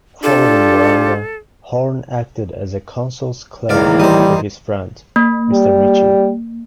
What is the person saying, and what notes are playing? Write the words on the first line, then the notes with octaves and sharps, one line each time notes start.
Following Waranga, Horne acted as a "counsel's clerk to his friend, Mr Mitchie".
D4 F4 G4 A4
C#2 A2 D#3 E3 A#3 D5 F5
G3 D#4 C5
A#3
G3